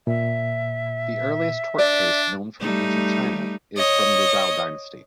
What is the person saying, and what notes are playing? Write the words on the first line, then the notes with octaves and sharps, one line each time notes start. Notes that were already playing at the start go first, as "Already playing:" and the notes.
The earliest "tort case" known from Ancient China is from the Zhou dynasty.
A#2 E5
D4 D5
G3 A3 D#4
C#5 D#5